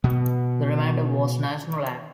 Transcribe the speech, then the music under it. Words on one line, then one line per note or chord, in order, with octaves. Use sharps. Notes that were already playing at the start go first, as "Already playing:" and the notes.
The remainder was national land.
B2 B3